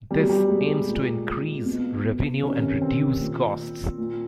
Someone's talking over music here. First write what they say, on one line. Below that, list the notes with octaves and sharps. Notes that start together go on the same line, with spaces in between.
This aims to increase revenue and reduce costs.
B2 G3
F#3
G3
G#3
A#2
B2
C3 D#3 C#4
C4
A#2
A#2